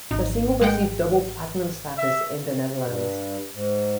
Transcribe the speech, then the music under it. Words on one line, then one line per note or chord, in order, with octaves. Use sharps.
The single received double platinum status in the Netherlands.
G#1 D#4
G#3 F#5 G5
E5
G2
G#2